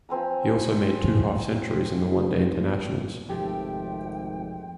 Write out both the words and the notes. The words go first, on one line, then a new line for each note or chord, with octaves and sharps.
He also made two half centuries in the one day internationals.
F3 C4 G#5 A#5
G#1 F2 C3 F3 A3 G4 G5